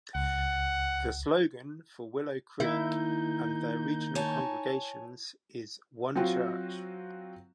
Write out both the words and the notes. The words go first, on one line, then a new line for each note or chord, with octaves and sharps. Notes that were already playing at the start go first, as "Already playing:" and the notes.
The slogan for Willow Creek and their regional congregations is One Church.
C#2 F#5
D#3 A#3 D#4 E4 G6
C#5 G#5 A5
F#3 C4 F4 F#4